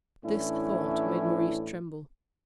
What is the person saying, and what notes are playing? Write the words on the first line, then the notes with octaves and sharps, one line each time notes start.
This thought made Maurice tremble.
A2 E3 C#4 D4 E4